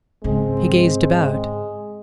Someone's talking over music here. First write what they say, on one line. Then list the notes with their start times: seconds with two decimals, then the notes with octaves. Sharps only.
He gazed about.
0.24 G#2 C#3 G#3 C4